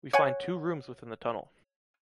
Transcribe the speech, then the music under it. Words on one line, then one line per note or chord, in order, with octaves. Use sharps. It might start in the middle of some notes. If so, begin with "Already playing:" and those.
We find two rooms within the tunnel.
C#5 F#5 G#5